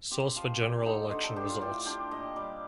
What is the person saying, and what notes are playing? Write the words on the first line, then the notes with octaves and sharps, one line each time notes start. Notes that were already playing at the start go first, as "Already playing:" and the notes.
Source for General election results.
C4 G4
F3 F4
A#2 G4
D#4 A4
D3 C5
A4
D4 G4
F4
A2 G4
F4
D4 G4
A#2 D#5
G3 D5